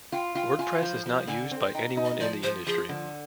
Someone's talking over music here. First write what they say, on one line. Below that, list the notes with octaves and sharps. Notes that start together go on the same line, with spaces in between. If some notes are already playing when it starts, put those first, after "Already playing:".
Wordpress is not used by anyone in the industry.
F4 G5
F4 G5
F4 G#5
F3
F3
D3 G#5
C4
D#4 G5
D#4
D#5
F3 D5
F3 C5
F3 G#4
D3